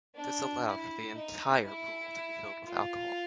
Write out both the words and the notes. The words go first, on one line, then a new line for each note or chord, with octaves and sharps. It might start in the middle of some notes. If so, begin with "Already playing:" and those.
This allowed for the entire pool to be filled with alcohol.
D4
E4
D#4
E4
F4